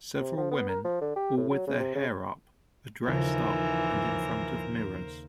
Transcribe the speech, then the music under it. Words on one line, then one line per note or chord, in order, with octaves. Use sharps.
Several women, all with their hair up, are dressed up and in front of mirrors.
C3
F3
B3
A#4
F3
D3
G4
A2
F#3
C#3
C3
C#3
D#2 C#3 E3 F3 A4 A#4 C5